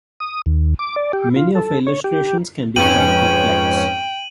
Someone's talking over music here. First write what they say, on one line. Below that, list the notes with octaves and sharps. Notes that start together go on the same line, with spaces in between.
Many of her illustrations can be quite complex.
D#6
D#2
D6
D5
G4
F4
A4
C#5
G4
F2 G#2 C#4 B4 G5 D#7 F#7